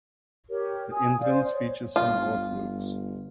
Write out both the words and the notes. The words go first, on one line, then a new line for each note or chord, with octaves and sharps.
The entrance features some artworks.
G4 A#4 C#5
G#5 D#6
C5 D5 F5
C#5
G1 F4